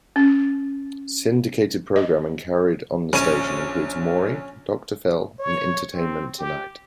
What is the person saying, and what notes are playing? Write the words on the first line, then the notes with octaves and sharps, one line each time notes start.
Syndicated programming carried on the station includes "Maury", "Dr. Phil" and "Entertainment Tonight".
C#4
D#5
A#1 C#4 D#7
C#5
C4
G4